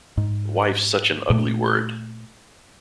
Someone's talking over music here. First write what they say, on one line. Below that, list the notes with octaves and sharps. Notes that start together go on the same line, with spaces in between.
Wife's such an ugly word.
G#2
A#2 A3